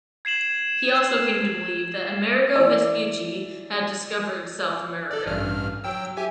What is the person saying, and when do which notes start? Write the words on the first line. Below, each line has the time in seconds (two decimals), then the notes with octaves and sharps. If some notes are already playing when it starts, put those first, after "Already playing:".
He also came to believe that Amerigo Vespucci had discovered South America.
0.25 G#6 C7 E7 F#7
2.56 E3 D5
5.11 A4 D5
5.26 A1 G2 F6
5.84 F#3 G5 E6
6.17 G4 E5 G#5